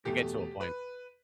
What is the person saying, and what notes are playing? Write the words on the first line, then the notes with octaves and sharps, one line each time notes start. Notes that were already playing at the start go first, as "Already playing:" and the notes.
It gets to a point.
E2 B2 A3 G4
B4